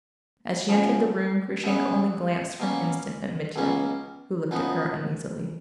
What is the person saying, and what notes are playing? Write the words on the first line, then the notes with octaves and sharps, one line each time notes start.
As she entered the room, Grushenka only glanced for an instant at Mitya, who looked at her uneasily.
F#2 C#3 F3
F#2 C#3 F#3 B3
B2 A#3 C#4
C#2 B2 A#3 C#4
F#2 F3 B3 D#4